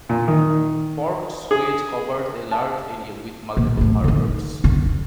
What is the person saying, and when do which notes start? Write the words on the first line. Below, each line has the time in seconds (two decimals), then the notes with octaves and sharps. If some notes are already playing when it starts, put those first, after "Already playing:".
Port Suez covers a larger area with multiple harbours.
0.09 A#2
0.28 D#3
1.51 G#4
2.51 A5
3.57 A#2
3.77 A1 A2
4.04 D3 D#4
4.64 F#2 D3